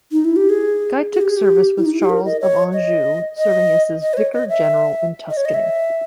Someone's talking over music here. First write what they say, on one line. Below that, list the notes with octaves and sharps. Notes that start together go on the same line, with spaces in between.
Guy took service with Charles of Anjou, serving as his Vicar-General in Tuscany.
D#4
E4
G4
G#4
G#4
G4
G#4
G4
E4
D#4
E4
G4
A#4
D#5
C#5
D#5
D#5
D#5
B4
C#5
D#5
E5
D#5
C#5
D#5
E5